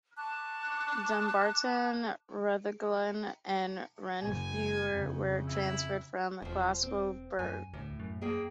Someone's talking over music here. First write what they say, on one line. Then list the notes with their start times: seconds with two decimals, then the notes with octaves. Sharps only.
Dumbarton, Rutherglen and Renfrew were transferred from Glasgow Burghs.
0.17 A5 C#6 D6 F#6
4.22 F#1 G#5
4.91 F2 C#3
5.47 E4
6.42 E1 F2 F3
6.83 C4
7.39 F#2 G#5
7.74 D2 A2
8.00 F#2
8.21 A#3 G#4 G5